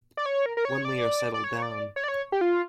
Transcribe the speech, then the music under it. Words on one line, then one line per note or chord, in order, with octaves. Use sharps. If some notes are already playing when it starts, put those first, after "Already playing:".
When we are settled down.
D5
C#5
A#4
A#4
C#5
D5
D5
C#5
D5
C#5
D5
C#5
G4
F4